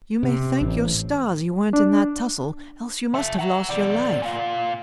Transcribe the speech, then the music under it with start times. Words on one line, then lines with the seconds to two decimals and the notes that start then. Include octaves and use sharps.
'You may thank your stars you weren't in that tussle, else you must have lost your life.'
0.23 C3
0.61 A1
1.73 D4
3.14 F3 E5
3.39 F#5 A#5
3.69 B2 D5
4.22 A#2 F4